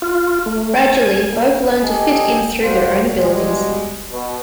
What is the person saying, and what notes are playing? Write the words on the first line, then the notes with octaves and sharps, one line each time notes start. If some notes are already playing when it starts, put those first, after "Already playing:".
Gradually, both learn to fit in through their own abilities.
F4
A3
A5
G#5
A#3
G4 A4 D#5 G#5
G3 A#3 F#4 C5 F5 F#5
B2 G3 G#3
B2